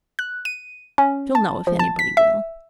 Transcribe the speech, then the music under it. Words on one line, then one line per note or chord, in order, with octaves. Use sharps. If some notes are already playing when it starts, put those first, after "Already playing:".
She'll know if anybody will.
F#6
D#7
C#4
A5
F3
A5
B6
E5